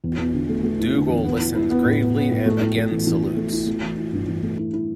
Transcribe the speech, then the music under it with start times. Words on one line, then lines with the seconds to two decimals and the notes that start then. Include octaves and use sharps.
Dougal listens gravely and again salutes.
0.04 E2
0.18 E2
0.34 D3
0.49 A3
0.64 A3
0.79 E4
0.95 D3
1.09 E2
1.24 B3
1.40 E4
1.55 E4
1.70 B3
1.85 A2
2.01 B3
2.16 B3
2.31 A2
2.46 A3
2.61 E4
2.76 A3
2.92 E3
3.07 E3
3.22 E3
3.37 A3
3.52 E4
3.67 A3
3.83 E3
3.97 E4
4.13 G2
4.28 E3
4.43 A3
4.59 E4
4.73 E4